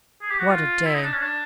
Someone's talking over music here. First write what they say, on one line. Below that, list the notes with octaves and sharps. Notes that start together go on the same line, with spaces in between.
What a day!
G#4
G4
F#4
F4
E4
D#4
D4
C#4
D4